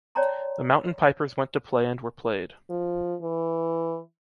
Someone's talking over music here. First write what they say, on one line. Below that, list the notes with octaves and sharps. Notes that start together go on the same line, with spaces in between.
The mountain pipers went to play and were played.
C#5 D5 G5 A5 A#5 C6
F3
E3